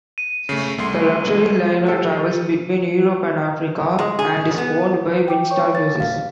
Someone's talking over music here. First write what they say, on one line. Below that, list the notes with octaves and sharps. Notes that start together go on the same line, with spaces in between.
The luxury liner travels between Europe and Africa, and is owned by Windstar Cruises.
D#7
C#3 A3 C7
C2 A3 C6
G4 A4
G#3
G#4
B3
G5 D6
C#5 C#6
A6
F5